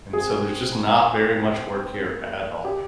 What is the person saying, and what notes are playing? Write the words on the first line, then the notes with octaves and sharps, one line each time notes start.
And so, there's just not very much work here at all
C4 G#4
A#3
G4